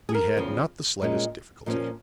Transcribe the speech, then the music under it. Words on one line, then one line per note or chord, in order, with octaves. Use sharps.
"We had not the slightest difficulty."
G#4
A#4
E2 C#3 F3 C4
A#2 G#3 C#4
A#2 F3 A#3 C#4